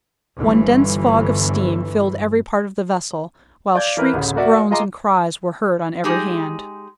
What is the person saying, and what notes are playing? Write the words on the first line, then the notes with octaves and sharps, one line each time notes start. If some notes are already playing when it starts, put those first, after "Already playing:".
One dense fog of steam filled every part of the vessel, while shrieks, groans, and cries were heard on every hand.
G1 E3
D5 F5 G6 G#6
E3 E4 A#4 B4
A1 D2 C#3
A#3 F#4 D5 E5 F#5
F4 G#4 D#5 A#5 C6 D6
G#3 D#4 G4 G#4